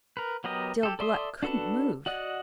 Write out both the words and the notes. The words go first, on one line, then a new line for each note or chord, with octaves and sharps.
Still Gluck couldn't move.
A#4 B4
F#3 B3 G4 A#4 D#5
G4 A4
A4 D5 E5 C6 D#6
D4 F#4 A4 B4 A5
F#4 D5 D#5 F#5